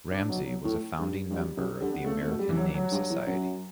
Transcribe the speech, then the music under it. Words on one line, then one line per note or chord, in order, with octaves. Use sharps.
Ramsay was a founding member of the American Name Society.
D4
B2 F#3
F#3
A2 A3
G2 G3
G2
F#2 G3
F#2 G3
D3 G3
B3
C#3 A3
A3
B2
G3
F#2 E3
F#3
F#3
G2
E2
F#2